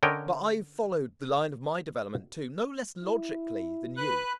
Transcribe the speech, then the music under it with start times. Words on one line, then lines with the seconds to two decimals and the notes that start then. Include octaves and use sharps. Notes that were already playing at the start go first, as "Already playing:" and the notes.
But I've followed the line of my development too, no less logically than you.
0.03 D3 C#4 A#4 C#5 D#5 G5
3.04 E4
3.97 B4 F#6